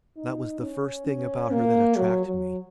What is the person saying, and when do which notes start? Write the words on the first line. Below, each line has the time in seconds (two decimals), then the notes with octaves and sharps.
That was the first thing about her that attracted me.
0.17 D#4
0.61 C#4
1.07 C#4
1.51 A#3
1.96 F#3
2.26 F#3